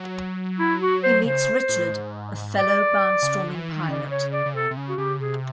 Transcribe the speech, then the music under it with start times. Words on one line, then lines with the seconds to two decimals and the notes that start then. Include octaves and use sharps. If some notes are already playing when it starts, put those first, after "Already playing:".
He meets Richard, a fellow barn-storming pilot.
Already playing: F#3
0.59 E4
0.81 F#4
1.04 C5
1.25 C#3 C5
1.69 A2
1.91 G#2
2.57 D5
3.23 C#3
3.40 D3
3.55 E3
3.72 D#3
3.88 C#3 D5
4.11 C#5
4.33 D5
4.46 C#3
4.54 C3 A4
4.71 C3
4.77 C#3
4.89 F#4
4.98 C#3 G4
5.20 C3 G#4